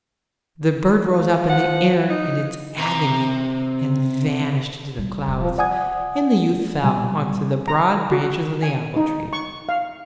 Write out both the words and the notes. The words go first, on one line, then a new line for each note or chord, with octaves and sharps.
The bird rose up in the air in its agony and vanished into the clouds, and the youth fell on to the broad branches of the apple-tree.
F3
F#5
D#4
C3 A#5
B2 G3
D#1
F3
D5 F#5 G#5 D#6 G#6
B2 G3 G#5
A#5
F#4
G#5
D#4
C#6
F5